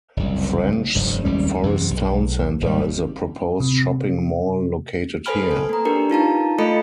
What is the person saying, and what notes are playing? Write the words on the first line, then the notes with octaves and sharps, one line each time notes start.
Frenchs Forest Town Centre is a proposed shopping mall located here.
F#1 C2
F1 G2
G#1 D#2 G3 C#4
F#2 C3 E3
B1
G#1 G3
C3
A4 B4 C5 G#5 B5 F6
A4
A#3 A#5
D4 G4 A#4 B4
D#4 F4 A5 A#5
A3 F4 A4 D#5 B5 C#7